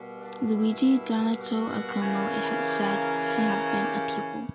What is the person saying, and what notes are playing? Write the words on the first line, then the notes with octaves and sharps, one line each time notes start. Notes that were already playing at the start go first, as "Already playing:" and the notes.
Luigi Donato of Como is said to have been a pupil.
Already playing: B2 G3 A#3
D4
E4
F#4
C#3 E3 A#3
G4
A#4
B4
A#4
G4